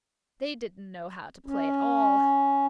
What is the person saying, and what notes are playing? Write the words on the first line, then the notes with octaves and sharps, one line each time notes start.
They didn't know how to play at all.
C#4